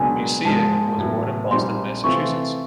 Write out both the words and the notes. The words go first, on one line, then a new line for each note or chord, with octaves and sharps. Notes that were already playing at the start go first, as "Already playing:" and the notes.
Busiek was born in Boston, Massachusetts.
Already playing: C#2 B2 F#3 A#3 D4 G#5
G#2 F3 G#3 A5
A1 A2 F#3 B3
A#1 A#2 G3 C4 D#4 C6
C3 E3 A3 C4 F4 C#6